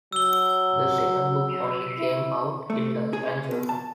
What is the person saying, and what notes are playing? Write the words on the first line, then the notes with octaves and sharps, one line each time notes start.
The second book only came out in Dutch and German.
F#3 E6 G7
E4
A3
G#4
B2
A5